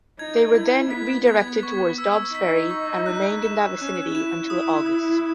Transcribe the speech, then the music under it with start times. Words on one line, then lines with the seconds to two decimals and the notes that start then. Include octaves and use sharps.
They were then redirected towards Dobb's Ferry and remained in that vicinity until August.
0.19 D#4 G#6
0.55 E4 G#6
0.90 B3 B6
1.27 G#6
1.63 C#6
1.98 E6
2.34 D#4 B6
2.71 C#6
3.06 F#6
3.43 E7
3.78 C#4 F#6
4.14 E4 E7
4.50 E4 D#6
4.86 D#6